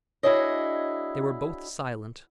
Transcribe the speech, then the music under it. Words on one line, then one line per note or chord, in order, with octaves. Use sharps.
They were both silent.
D4 E4 F#4 G#4 C#5 D#5